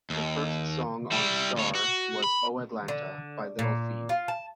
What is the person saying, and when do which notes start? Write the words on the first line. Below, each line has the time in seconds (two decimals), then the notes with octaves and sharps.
The first song on "Star" was "Oh Atlanta" by Little Feat.
0.10 D#2
1.11 G3 E4
1.56 D2 C#5
1.75 F#4
2.24 B5
2.88 D3
3.59 A#2
4.09 F4
4.28 A5